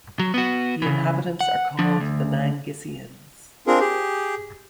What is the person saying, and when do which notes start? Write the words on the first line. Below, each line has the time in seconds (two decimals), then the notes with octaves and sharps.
The inhabitants are called the "Nangissiens".
0.19 F#3
0.34 B3 F#4
0.82 C#3 E3
1.41 F#5
1.79 F3 D4
2.00 D2
3.67 C4 D4 F4 G#4 A#4
3.80 G4 G#4